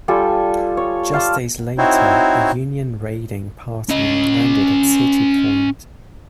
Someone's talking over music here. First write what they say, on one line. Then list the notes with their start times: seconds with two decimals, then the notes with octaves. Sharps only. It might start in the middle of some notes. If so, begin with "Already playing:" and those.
Just days later, a Union raiding party landed at City Point.
0.08 G3 F4 A4 G#5
0.77 C#5
1.14 F5 A5 C6 D6
1.78 C4 D#4 E4 F#4 C5 C#5
3.90 C#4 D#5